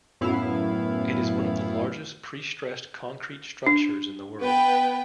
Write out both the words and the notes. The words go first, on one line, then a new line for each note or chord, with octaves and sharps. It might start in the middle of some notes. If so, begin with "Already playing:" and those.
It is one of the largest prestressed concrete structures in the world.
F#2 A2 B3 E4 F5
D4
B3 B4 G5